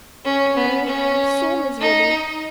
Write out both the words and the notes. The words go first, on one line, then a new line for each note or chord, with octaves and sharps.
Oh, I'm so miserable.'
C#4
B3
C#4
D#4